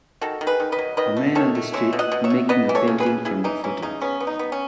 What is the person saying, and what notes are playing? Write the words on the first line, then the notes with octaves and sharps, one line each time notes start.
A man on the street making a painting from a photo.
D#3 F#4 A4
D#3
G#4 B4
D#3
B4 D#5
F#3
D#3 B4 D#5
A3
D#3 A4 C#5
A3
G#3 C#5 E5
B2
D#5 F#5
B2
C#5 E5
B2
B3 B4 D#5
E3
A4 C#5
C#3
G#4 B4
C#3
C#3 E4 G#4
E3 D#4
E3 C#4
C#3 D#4
B3 C#4
B3
D#4
B3
C#4